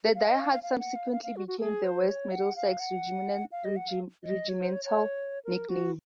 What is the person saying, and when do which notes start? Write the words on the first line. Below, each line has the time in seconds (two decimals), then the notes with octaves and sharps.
The 'Die Hards' subsequently became the West Middlesex's regimental nickname.
0.15 F5
0.27 D#5
0.40 F5
0.51 F5
0.63 F5
0.79 F#5
0.96 F5
1.12 F5
1.23 F5
1.36 F#4
1.48 F#4
1.60 G#4
1.84 C5
2.08 C#5
2.32 F#5
2.56 F5
2.80 F#5
3.52 F5
3.64 D#5
3.76 F#5
3.89 F5
4.24 D#5
4.49 C#5
4.61 C5
4.73 C#5
4.85 C#5
5.45 A#4
5.69 F#4